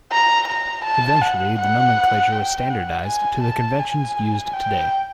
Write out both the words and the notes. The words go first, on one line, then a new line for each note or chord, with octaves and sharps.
Eventually the nomenclature was standardized to the conventions used today.
A#5
A#5
A5
F#5
F#5
G5
F#5
G#5
A5
G#5
G5